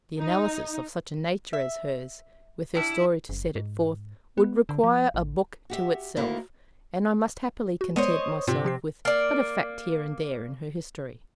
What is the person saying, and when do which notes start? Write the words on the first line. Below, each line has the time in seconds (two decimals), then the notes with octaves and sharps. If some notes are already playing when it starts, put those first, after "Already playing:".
The analysis of such a nature as hers, with her story to set it forth, would require a book to itself, and I must happily content myself with but a fact here and there in her history.
0.19 D#4
1.53 E5
2.75 G3 D4 E4
3.29 F#1
3.56 G#2
4.38 B3
4.69 D3
4.84 F3
5.14 A1
5.70 F#4 G4 E5
6.17 D2 D#3 A#3 E4
7.81 F#4
7.96 G#3 B3 A#4 C5 C#5 D#5
8.47 G#2 C3 C4 F4
8.64 F3 G4 C7
9.05 A#3 D5